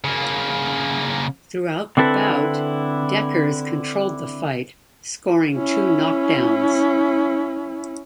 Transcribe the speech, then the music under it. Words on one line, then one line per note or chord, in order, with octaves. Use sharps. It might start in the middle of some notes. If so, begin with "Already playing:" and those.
Throughout the bout, Dekkers controlled the fight, scoring two knockdowns.
C#3 A#3
D3 C4 E4 A4 B4
C#4 E4